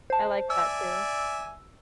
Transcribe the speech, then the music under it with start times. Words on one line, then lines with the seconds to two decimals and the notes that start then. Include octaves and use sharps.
I like that, too.
0.10 C5 A5
0.50 D5 E5 G#5 E6